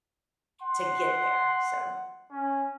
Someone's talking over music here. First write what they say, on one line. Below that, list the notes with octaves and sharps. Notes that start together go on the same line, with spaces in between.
to get there, so
F#5 C6
C#4